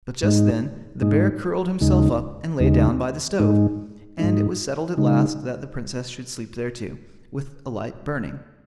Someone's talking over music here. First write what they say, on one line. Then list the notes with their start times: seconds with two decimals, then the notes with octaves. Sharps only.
But just then the bear curled himself up and lay down by the stove; and it was settled at last that the Princess should sleep there too, with a light burning.
0.23 G#2 G#3 D#4
1.01 G#2 G#3 D#4
1.81 D#2 C#3 G#3 D#4
2.60 D#2 C#3 G#3 D#4
3.39 G#2 G#3 D#4
4.19 G#2 G#3 D#4
4.97 C#3 G#3 D#4